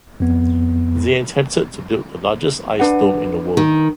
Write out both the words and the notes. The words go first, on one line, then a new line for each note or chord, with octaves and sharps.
They attempted to build the largest ice dome in the world.
F2 B3
D4 B4 F#5
D#3